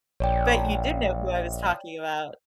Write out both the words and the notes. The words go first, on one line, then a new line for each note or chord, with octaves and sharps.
but you did know who I was talking about.
A#1 C#5 D5 G5